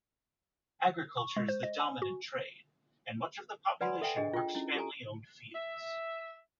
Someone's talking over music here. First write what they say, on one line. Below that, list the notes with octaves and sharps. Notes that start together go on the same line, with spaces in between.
Agriculture is the dominant trade, and much of the population works family-owned fields.
C#6
G#3
C5
D#5
G#5
F#4
B4 D5 F#5 G#5 B5 C6
A4 E5 G5 G#5
D4 G#4 D#5
F4 G5
C#4 E4
G4 A4 G#5 A#5
E5